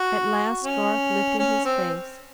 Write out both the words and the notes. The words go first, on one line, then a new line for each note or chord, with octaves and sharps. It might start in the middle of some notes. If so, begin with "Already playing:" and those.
At last Garth lifted his face.
Already playing: F#4
C#4
C#4
C4